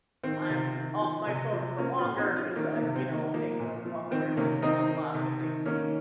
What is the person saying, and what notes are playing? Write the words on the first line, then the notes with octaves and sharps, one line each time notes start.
I'm off my phone for longer 'cause I, you know, I'll take a walk around the block that takes me,
D#3 C4
C3
D#3
F3
C3
F3
F3 A#3 C#4
F#4
C#4 F4
A#2
C4 D#4
F3
C#4 F4
D#3 A#3 C#4
A#3
C3
C4
D#3
A#3
F3 A#3
A#2
F3
D#3 C4
C3 A#3 C#4
D#3 C4 D#4
D#3
C3
D#3
D#3 A#3 C#4